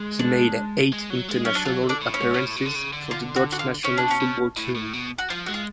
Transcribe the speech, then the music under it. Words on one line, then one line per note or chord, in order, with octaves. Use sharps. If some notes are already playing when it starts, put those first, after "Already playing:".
He made eight international appearances for the Dutch national football team.
Already playing: G#3
D4
G#3
F#3
G#3
F#3 C#4
D4
F#3 F4
D3
D4 D5
A2
C#4 C#5
G#2
B2
A2
B2
D3
C#3
D3
F4
F#4
F#4
F4
C#3 C#4
D4
B2
C#4
B2
A2
A2
B2
F#4
F3 F4
G#3 F#4
F4